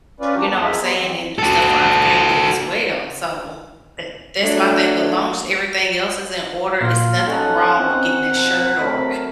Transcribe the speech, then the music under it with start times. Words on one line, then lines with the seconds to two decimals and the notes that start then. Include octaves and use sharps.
You know what I'm saying? And do stuff for our family as well, so that that's my thing. But long as everything else is in order, it's nothing wrong with getting that shirt or
0.20 C#4 F4 B4 D5
0.35 F3 F#3 D4 F#4 G4 A#4
0.49 F2 G#2 B3
0.62 G#4 A#4 D#5 E5
0.82 G3 B3 C5
0.97 E3 C4
1.39 F#4 A4
4.43 F#3 A3 D4
6.80 A#2 F4 F5
7.27 B3 C#4 D#4 A4 F#5
7.79 C4
8.31 B2 F3 A#4
8.78 F#3 A3 C4 A#4 B5